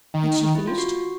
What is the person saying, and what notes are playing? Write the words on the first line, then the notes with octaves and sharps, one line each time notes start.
Had she finished?
D#3
E4
F4
F#4